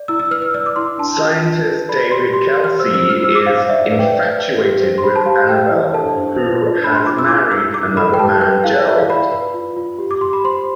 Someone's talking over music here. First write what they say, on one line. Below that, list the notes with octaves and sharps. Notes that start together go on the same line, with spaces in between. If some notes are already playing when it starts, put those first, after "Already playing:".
Scientist David Kelsey is infatuated with Annabelle, who has married another man, Gerald.
Already playing: D5
E4 E6
E6
B4 F6
E6
D5 E6
D6
E4 C6
D4 A5
F4
F4
B4
D5 B5
G4 C6
G4 C6
G4
F6
C5 E6
E6
F4
F6
C5 E6
D6
C5 F5
F5
D5 E5
F5
B4
G5
D5
B4
G4
C5
C6
C5 B5
A5
G4 F5
F5
C5 G5
E4 F5
A4 A5
C5
B4
F4
D4 B5
C6
F4 D6
E6
E4 D6
E4 E6
E4 D6
A4 B5
G5
G4 A5
B4 G5
E4 F5
D5
E4 E5
F5
D5 B5
B4
F4
F4
G4
D6
G4 C6
B5
C5 C6